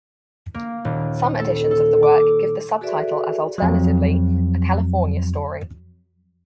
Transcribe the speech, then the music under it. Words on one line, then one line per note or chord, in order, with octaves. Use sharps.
Some editions of the work give the subtitle as alternatively, "A California Story".
A#3
D#1
A4
A4
D6
F#4 G#4 A4 B4 D5 E5
F2 F#3